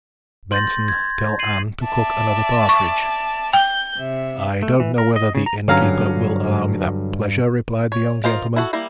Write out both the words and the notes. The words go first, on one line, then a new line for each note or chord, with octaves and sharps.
Benson, tell Ann to cook another partridge.' 'I don't know whether the innkeeper will allow me that pleasure,' replied the young gentleman.
C6 G6 A6 A#6
G#6
C7 D#7 F#7
D5 E5 A5
C#6
G5 G6
C3 E5
A3
E3
A#4
D#5
C#3
A#5
G2 D3 F#3 C#4 F5 A#5
C#5
F4 A#4 C5 D#5 F5
E4 F#4 A4
G3 A#3 E4